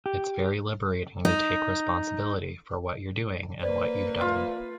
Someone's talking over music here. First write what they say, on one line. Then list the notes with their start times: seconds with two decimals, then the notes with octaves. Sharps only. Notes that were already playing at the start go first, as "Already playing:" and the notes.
It's very liberating to take responsibility for what you're doing and what you've done.
0.06 G4
1.25 D#4
3.62 A#3 B4 C5 D5
4.21 F4